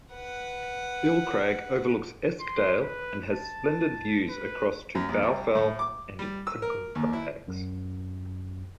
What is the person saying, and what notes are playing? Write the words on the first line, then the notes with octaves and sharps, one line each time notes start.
Ill Crag overlooks Eskdale and has splendid views across to Bowfell and Crinkle Crags.
B4 F#5
C6
B4
A5
B4
F#2
A#1
C2
A2
D6
G3
E6
A#4
D#2
E4
F#2